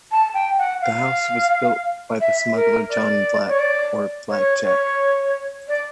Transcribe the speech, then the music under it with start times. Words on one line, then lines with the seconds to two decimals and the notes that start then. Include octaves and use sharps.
The house was built by the smuggler John Black or Black Jack.
0.12 A5
0.34 G5
0.58 F#5
0.82 F5
2.21 E5
2.55 A#4
2.90 D5
3.48 C#5
3.59 D5
4.29 C#5
4.64 C#5
5.68 D5